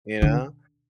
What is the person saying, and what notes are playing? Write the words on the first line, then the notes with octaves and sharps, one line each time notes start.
you know?
D3